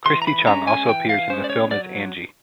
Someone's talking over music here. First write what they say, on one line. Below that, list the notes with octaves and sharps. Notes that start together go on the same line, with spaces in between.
Christy Chung also appears in the film as "Angie".
E3 C6
A#5
B5
G#3 C#4 A#5
G#5
E3 G5
F5
G#3 C#4 C5
D5
C#5
F#3 D5